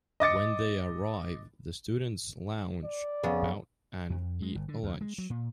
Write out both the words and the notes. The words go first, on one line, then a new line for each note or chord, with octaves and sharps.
When they arrive, the students lounge about and eat a lunch.
D#5 D6 A6 C#7
D5
F2 C#3 B3
F2
G#3
G1
D3
D2
G#3
F#3
A#2